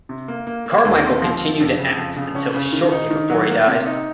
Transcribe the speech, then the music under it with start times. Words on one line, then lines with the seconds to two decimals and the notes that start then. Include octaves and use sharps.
Carmichael continued to act until shortly before he died.
0.09 C3
0.28 A#3
0.47 A#3
0.66 A#3
0.85 D#2
1.03 C4
1.22 F3
1.41 F#2
1.60 F2
1.79 C#3
1.98 F2
2.16 C#3
2.35 C#4
2.54 C#3
2.73 D#3
2.92 D#4
3.11 D#3
3.30 F#3
3.49 A#3
3.68 C3
3.86 D#4